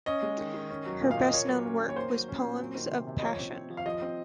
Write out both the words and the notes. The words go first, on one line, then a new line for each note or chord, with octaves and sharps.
Her best-known work was "Poems of Passion".
C#4 D#5
G#3
D#3
D#3
C#4
F#3
A#2
F5
A#2
D#5
A#3 C#5
F#3
C#4
D#3
C#5
A#3 C5
F#3
C#4
A#2
F#3
D#3
C3
C3
D#5
F3 C#5
C4
C4
F3
F5
F3 D#5
C4